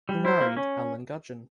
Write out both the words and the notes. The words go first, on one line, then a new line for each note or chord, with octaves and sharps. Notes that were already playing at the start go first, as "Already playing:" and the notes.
He married Ellen Gudgeon.
G3
E4 C5
A#3
C#4